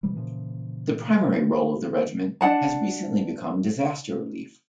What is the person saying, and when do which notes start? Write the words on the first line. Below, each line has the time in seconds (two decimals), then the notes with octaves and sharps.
The primary role of the Regiment has recently become disaster relief.
0.03 C3 D#3 E3 G3
0.15 A#2 C#3 E3 F3
2.41 D4 D#4 F#5 A5